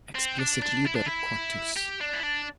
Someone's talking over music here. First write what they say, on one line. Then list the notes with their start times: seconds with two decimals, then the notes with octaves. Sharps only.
Explicit liber quartus.
0.15 C4
0.38 D4
0.62 D4
0.85 E4
0.95 D4
1.06 E4
1.77 G4
2.01 D4
2.13 E4
2.23 D4